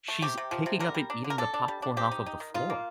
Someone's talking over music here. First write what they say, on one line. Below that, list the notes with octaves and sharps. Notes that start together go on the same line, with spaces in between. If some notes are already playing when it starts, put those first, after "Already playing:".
she's picking up and eating the popcorn off of the floor.
A3
C3 G4
C3
F3
C3
D3 A#4
G3
D4
D3
A#4
D4 A4
D4
G3
D4
C4 G4
D#4
D#4
D#3
D#4 F4
A#3